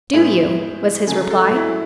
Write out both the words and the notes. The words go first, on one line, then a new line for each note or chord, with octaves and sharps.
"Do you?" was his reply.
A2 G#3 B3 E4
C#3 F#3 A3 G#4
A4
E4